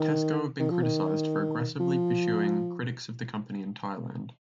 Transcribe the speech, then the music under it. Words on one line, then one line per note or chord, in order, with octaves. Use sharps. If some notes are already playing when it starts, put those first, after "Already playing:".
Tesco have been criticized for aggressively pursuing critics of the company in Thailand.
Already playing: D#3
D#3
F3
D#3
F3